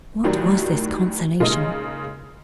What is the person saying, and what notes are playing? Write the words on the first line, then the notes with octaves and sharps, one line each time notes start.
What was this consolation?
D2 A2 D#3 F#3 G3
C#3 G#3 A#3 D#4